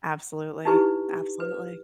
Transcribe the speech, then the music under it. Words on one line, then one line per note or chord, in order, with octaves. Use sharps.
Absolutely. Absolutely.
D#4 E4 G4 B4 C#6
B4